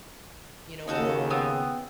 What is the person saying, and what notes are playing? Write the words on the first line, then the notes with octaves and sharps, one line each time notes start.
you know or
D#2 C#3 D#4 F#4 A4
B3 C4 D#6